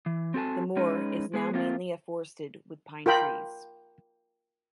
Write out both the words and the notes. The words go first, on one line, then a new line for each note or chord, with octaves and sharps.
The moor is now mainly afforested with pine trees.
E3
C4 F#4 A4 G#5 A5
G#3 C#4 D#4 B4
G#3 B3 G#4
A3 A#3 C4 F4
F4 A#4 G5 B5